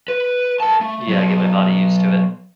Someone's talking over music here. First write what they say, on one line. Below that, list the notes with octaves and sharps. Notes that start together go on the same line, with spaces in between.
Yeah. I get my body used to it.
B4
A#4 A5
A3
F#3 B3